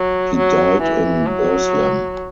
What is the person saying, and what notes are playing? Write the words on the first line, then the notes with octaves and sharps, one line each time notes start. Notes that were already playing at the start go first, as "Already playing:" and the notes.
He died in Burslem.
Already playing: F#3
F#3
E3
F#3